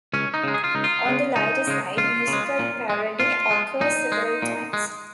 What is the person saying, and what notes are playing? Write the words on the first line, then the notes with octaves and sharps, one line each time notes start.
On the lighter side, musical parody occurs several times.
C#2 C#4
D#4
C#3 G#3
G#4
F4
C#2 D#4
F4
C#3 G#3
C#2 D#4
C#3 G#3
C#2 F4
C#3 G#3
A#2
G#3
A#2 F4
G#3
A#2 D#4
G#3
A#2
G#3